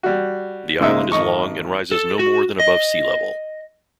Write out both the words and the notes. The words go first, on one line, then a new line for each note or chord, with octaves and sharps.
The island is long and rises no more than above sea level.
G3 F#4
A#2 C#3 G#3 D#4 E5
G#1 D#5 C#6
A4
F#4
D#5